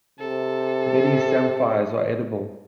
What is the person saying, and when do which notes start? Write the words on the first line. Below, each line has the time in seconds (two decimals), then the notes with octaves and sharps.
Many samphires are edible.
0.19 C3 A4